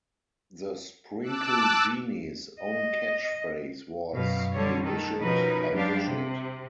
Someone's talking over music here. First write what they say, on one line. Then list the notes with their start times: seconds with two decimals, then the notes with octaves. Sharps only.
The Sprinkle Genie's own catchphrase was: You wish it, I dish it!
1.22 A5 D6 E6 F#6
2.62 D#5
4.13 F#2 B2 F5
4.52 D3 G3 C#5
4.82 D#3 A4
5.19 B2 F3 C#4 D#4 A#4 B4
5.72 F#2 G3 D4 G4 F5
6.05 C3